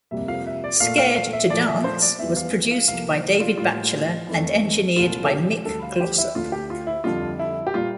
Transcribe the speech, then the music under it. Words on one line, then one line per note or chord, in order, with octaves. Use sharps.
"Scared to Dance" was produced by David Batchelor and engineered by Mick Glossop.
F2 C3 G3 A#3 E5
F5
E5
D5
A#2 A3 F5
F5
F5
E5
A#2 F3 A3 D5
E5
C5
D5
E2 E3 G3 E5
F5
F5
C2 C3 F3 A#3 F5
F4
A2 G3 A#3 F4
F2 E3 A3
C2 A#2 A3 F4
A4
G4
D2 D3 G3 A4
F5
G4
E4
D2 D3 A3 F4
G4
F4
E4
F2 D3 G3 F4
E4
G4
A#2 G3 A#3 F4